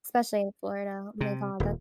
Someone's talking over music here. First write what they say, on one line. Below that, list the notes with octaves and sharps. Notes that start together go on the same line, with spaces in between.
Especially in Florida, oh my God, that
C3
D#1